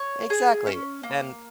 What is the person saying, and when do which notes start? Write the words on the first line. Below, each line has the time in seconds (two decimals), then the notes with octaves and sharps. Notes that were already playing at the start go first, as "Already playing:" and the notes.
Exactly, and
Already playing: C#5
0.30 G#4
0.67 C#4
1.03 A#3